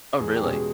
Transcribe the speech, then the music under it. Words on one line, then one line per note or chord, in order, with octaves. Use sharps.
Oh, really?
E2 G#4
G4
B2 G#3 C#4
G#4